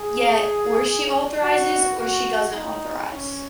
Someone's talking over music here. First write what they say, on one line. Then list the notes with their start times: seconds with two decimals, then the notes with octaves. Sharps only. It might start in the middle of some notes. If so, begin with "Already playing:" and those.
Yet or she authorizes, or she doesn’t authorize.
Already playing: G#4
1.43 F#4
1.98 F#4
2.53 D#4
3.08 C#4